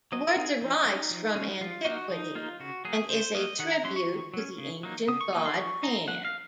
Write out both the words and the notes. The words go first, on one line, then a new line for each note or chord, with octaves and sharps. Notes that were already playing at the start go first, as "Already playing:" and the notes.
The word derives from antiquity and is a tribute to the ancient god, Pan.
F#3 D#5
A#4
C4 D#4
G#4
F3 D#4
G#3 C#4
F3
G#3 C#4
F3 F4
A#3 D#4 F#4
F3 D#4
A#3 D#4 F4
C#3 F#4
F#3 A#3 G#4
C#3 C5
F#3 A#3 D#5
D#3 F#5
A#5
F#3 C#4 C6
C#6
D#3
F#3 C#4
C#3
F#3 A#3 D#4
C#3 D#6
C#6
F#3 A#3 D#4 D#6
C6
F3 C#6
C4 D#4 A#5
F3 F#5
F5